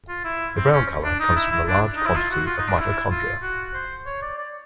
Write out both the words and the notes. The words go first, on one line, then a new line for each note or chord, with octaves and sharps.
The brown color comes from the large quantity of mitochondria.
F4
E4
C4
C#4
D4
D#4
E4
E4
D4
D#4
E4
F4
F#4
F4
D#4
D4
E4
F4
F#4
C5
C#5
D5
D5